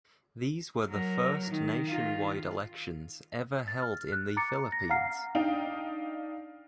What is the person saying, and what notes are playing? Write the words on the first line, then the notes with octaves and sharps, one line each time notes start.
These were the first nationwide elections ever held in the Philippines.
F#3 A#4
D#3
D#3 F4
A6
F6
F#6
A#5 D6 A6 C#7
A#6
F5 F#5 A#5 F6 C7
D4 D#4 F5 G5